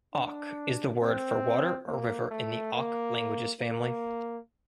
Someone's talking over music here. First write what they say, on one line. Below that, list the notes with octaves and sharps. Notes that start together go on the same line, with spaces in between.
"Ok" is the word for water or river in the Ok languages family.
D4
C4
A#3
A3
A#3
A#3